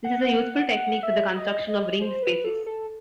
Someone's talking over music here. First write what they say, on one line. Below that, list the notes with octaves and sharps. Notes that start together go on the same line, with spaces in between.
This is a useful technique for the construction of ringed spaces.
F#5
F#5
E5
D#5
D#5
C5
B4
A4
A4